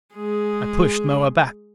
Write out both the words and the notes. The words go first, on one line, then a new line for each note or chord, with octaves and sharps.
I pushed Moa back.
G#3 G#4